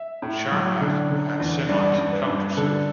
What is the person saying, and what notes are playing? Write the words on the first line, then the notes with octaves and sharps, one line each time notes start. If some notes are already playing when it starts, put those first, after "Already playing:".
Sharmat and Simont counter-sued.
Already playing: E5
A2
F#3
D3
D3
E2
G2 D5
G2
B4
G2
D3 A4